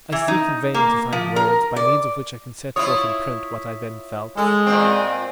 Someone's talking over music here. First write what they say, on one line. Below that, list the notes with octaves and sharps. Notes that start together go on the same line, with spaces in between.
I seek in vain to find words by means of which I can set forth in print what I then felt.
E3
D#4
A#3
F3
A#4
D5
E4 F4 C#5 D#6
G#3 A4
A#2 C4